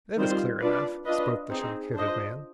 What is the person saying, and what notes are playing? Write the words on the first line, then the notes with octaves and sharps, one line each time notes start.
"That is clear enough," spoke the shock-headed man.
D#3 G3 C4 F4 C5
D4 F4 B4 D5
D4 F4 B4 D#5
C4 D#4 G#4
D4 F4 C5 D#5